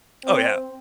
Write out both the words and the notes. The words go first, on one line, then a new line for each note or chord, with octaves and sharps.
Oh, yeah,
C4